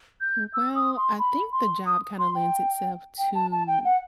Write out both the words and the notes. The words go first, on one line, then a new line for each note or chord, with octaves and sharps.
W well, I think the job kinda lends itself to
G6
E6
D#6
C6
B5
C6
D#6
C6
G5
G5
A5
A5
G5
F#5